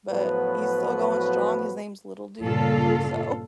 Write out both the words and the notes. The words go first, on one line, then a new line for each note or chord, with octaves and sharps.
but, he's still going strong, his name's Little Dude, so
A2 F3 F#3 B3 F#4 B4
G2 A#2 C#3 F4 A4 F5